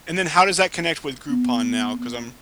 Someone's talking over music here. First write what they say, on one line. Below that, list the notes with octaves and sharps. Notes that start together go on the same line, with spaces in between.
and then how does that connect with Groupon now, 'cause I'm
B3